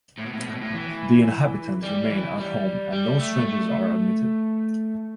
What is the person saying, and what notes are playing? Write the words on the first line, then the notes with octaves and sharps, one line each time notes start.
The inhabitants remain at home and no strangers are admitted.
A2
B2
A2
B2
A2
B2
A2
E3
G3
E3
G3
G3
A3
A3